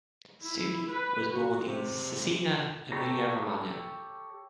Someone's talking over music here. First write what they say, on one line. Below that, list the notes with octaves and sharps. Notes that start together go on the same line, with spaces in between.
Sughi was born in Cesena, Emilia-Romagna.
E4
B4
F#4
C3
G4 A4 C#5 A#5